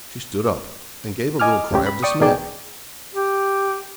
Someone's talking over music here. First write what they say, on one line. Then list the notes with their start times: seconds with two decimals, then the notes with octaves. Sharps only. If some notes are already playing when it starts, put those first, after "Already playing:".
She stood up and gave a little cry of dismay.
1.39 D#5 G#5 D6 F6
1.71 C#2 A2 C#4 G4
1.86 B5
2.03 D5 G5 C#6 D#6
2.21 A1 B2 D#4 G#4 D5 G5
3.15 G4